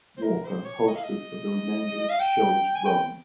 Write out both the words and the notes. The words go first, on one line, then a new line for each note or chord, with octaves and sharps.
Walker hosted for the remainder of the show's run.
C5
A#4
C5
C#5
D#5
F5
D#5
F5
G5
G#5
G5